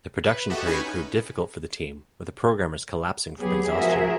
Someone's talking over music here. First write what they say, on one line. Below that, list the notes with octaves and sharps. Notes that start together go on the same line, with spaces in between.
The production period proved difficult for the team, with the programmers collapsing from exhaustion.
B4
F#4 G4 A4 D#5 E5 F#5
C#4 D#4 B4 G#5 B5 C#6
F#3 B3 G4 G#4
F3 F#4 G#4 A#4 E5